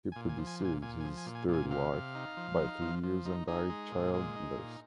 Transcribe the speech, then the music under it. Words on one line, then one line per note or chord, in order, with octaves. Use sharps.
He predeceased his third wife by three years and died childless.
A#2 G#5
G#5
F3
G#5
A#2 G#5
A#2 G#5
G#5
F3
G#5
A#2
G#5
A#2 G#5
C3 F5
C3
D#4
F3
D#4
F3
F3
D#4
D#4 G#4
G#3
A#2
G#3
D#4
A#2